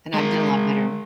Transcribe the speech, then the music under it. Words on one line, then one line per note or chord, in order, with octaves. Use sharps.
and I've done a lot better.
G#3 A#4